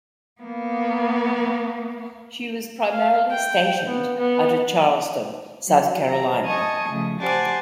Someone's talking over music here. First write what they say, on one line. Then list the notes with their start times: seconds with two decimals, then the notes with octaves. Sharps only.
She was primarily stationed out of Charleston, South Carolina.
0.41 A#3 B3
2.91 F5
3.30 G5
3.87 B3
4.18 B3
5.67 F#3
6.09 A#5
6.45 D#5 G#5 A5 C#6 D#6
6.90 C#3 F3 A3
7.21 G4 C5 D5 F#5 G#5 A5